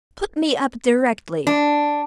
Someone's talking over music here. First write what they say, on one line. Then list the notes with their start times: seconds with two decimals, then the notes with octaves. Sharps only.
"Put me up directly."
1.47 D4